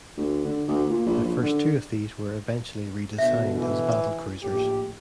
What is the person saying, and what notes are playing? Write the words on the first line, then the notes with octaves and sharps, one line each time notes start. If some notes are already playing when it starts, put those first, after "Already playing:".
The first two of these were eventually redesigned as battlecruisers.
D2
D3
D2
A#2
A#1
A#1
D3
B2 D3 E5
E3
A#1 A2 G4